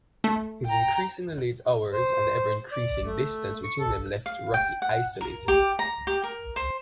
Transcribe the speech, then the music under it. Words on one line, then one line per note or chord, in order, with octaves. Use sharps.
His increasingly late hours and the ever-increasing distance between them left Ruttie isolated.
A3
G5 A#5
C5
D5
A3
C#6
A4
F5
G5
F#5
A#4
G4
A#5
G4
A#4
C5